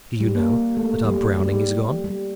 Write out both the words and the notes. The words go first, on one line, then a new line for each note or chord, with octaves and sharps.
Do you know that our Browning is gone?
G3
A#3
A3
G3
G3
G3
G3